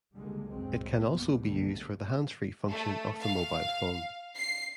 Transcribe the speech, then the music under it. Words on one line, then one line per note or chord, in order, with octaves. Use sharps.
It can be also used for the handsfree function of the mobile phone.
C#2 D3 G3 G#3 A#3
C2 F#2 A2 F#3 G#3 C4
C2 F#2 B2 A#3 B3
B2 D3 F#3 G3 A3 A#3
A3
F5
C7